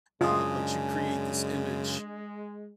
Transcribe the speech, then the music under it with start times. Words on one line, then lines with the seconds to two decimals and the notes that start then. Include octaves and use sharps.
uh, but you create this image
0.21 F#2 C#3 G#3 D4 F4 G#4 D#5